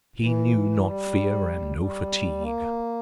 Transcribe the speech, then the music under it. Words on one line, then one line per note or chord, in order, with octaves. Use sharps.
He knew not fear and no fatigue . . .
E3
G3
G3
A#3